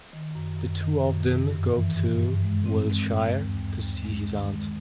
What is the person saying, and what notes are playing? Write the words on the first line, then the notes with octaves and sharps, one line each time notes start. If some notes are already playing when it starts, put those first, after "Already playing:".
The two of them go to Wiltshire to see his aunt.
D#3
F#2
F#2
D#3
F#2
F#2
G2
E3
G2
G2
G#3
C4
G#3
G2
D#2
D#2
D#2
G#3
D#3
G#3